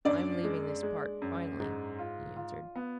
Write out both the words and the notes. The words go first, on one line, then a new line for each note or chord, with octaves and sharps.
"I'm leaving this part--finally," he answered.
F#2 D4 D5
G#3
G#3
F#2
G#2
F4
F4
B3